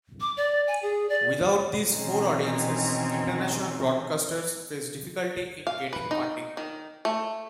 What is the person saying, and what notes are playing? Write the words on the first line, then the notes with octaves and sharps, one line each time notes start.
Without these four audiences, international broadcasters face difficulty in getting funding.
D6
D5
G#5
G#4
D5
B2 D#3 E3 C4 C#4 D#4
F5
B4
D#4
D#3
A3